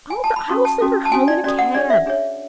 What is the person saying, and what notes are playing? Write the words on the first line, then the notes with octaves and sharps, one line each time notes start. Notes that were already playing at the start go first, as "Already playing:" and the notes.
'Oh, but I will send her home in a cab.
G#5
A5
B5
C#4 F#4 A4 C#6
A5
C#4 F#4 A4
A5
C#4 F#4 A4 G#5
D5
C#4 F#4 A4 D5
F#5
D4 G#4 C#5 D5
E5
D4 G#4 C#5